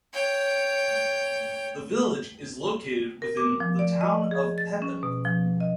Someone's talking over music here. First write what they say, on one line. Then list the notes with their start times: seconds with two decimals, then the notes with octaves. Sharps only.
The village is located within the Town of Pepin.
0.13 C#5 G5
3.22 A#4
3.37 D6
3.60 F3
3.79 D5
4.01 D#5
4.31 G#4
4.58 A6
4.82 C#4
5.03 B2
5.25 F3
5.60 D#5